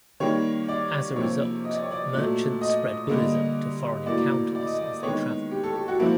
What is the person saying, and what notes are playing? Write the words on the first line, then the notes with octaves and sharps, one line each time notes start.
As a result, Merchants spread Buddhism to foreign encounters as they traveled.
D#3 G3 A#3 C#5
D5
C3 F3 A#3 C#5
D#5
D5
C#5
D5
A#2 F#3 A3
D#5
D3 G3 A#3
A2 F#3 A#3 D5
D5
D#5
D5
D#3 G#3 B3 C#5
G4
A4
G4
F#4
F3 A#3 E4